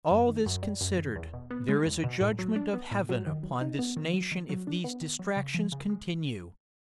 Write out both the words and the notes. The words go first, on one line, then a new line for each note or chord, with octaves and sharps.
All this considered, there is a judgment of Heaven upon this nation if these distractions continue.
F#2
D#3
F#2
G3
F#2
D#3
E2
B2
B3
G#3
E2
B2
A2
F#3
D4
B3
A2
F#3
D#3
F#3
D#4
B3
D#3
F#3
D#3
F#3
D4
B3
D#3
F#3
C#3
F3
C#3
G#3